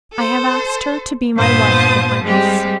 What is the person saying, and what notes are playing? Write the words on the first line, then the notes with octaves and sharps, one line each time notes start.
"I have asked her to be my wife, your highness."
A4 C5
G2 A#2 B3 C5 A5 D#6
G3 G#3 C4 G4